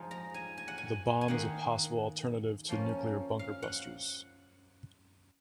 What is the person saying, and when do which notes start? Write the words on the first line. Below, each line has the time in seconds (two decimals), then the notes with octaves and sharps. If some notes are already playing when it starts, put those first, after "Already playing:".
The bomb is a possible alternative to nuclear bunker busters.
Already playing: F3 G#3 D#4
0.11 A#5
0.34 G#5
0.58 G#5
0.68 F#5
0.78 G#5
1.21 G#5
1.28 D#3 A#3 D#4 F#5
2.69 F3 A#3 C#4
3.39 F5
3.62 F#5